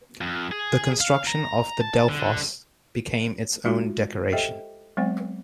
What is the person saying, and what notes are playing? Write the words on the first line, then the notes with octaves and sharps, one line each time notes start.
The construction of the Delphos became its own decoration.
F2
G#4
F5
A#5
A5
D3
G#3 D#4 F4 F#4
G4 A4 C5 D#5 E5 G5
F#3 G#3 B3 C4 C5 F#5